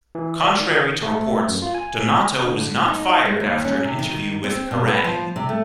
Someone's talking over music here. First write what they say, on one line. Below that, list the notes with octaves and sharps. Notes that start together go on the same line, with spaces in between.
Contrary to reports, Donato was not fired after an interview with Kerrang!
E3
D5
D#3
A3
F#2
F4
G#5
D3
D#4
G#3
D#2
C#4
C3
D#3
C4
B2
B4
F3
C3
A3